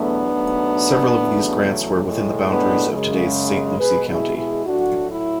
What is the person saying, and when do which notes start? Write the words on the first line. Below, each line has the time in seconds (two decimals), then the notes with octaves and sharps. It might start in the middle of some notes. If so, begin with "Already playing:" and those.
Several of these grants were within the boundaries of today's Saint Lucie County.
Already playing: E2 B2 F#3 A3 B3 D4
0.32 G#2 F#3 A3
1.19 E2 C#3 F#3 A3
2.05 A2 G#3
2.49 B3 D4
2.93 F#2 C#3 G#3
3.79 B2 G#3 G#4 B4
4.08 E4 G#4
4.37 E4 G#4
4.66 A2 F#3 A3 D4 F#4
5.10 E4